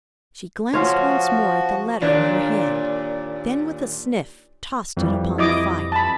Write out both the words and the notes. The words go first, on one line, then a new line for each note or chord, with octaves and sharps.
She glanced once more at the letter in her hand, then with a sniff tossed it upon the fire.
F3 C#4 F4 F#4 C#5
D#2 A#2 D4
F2 E3 G3
E4 D#5 D6
A5 B5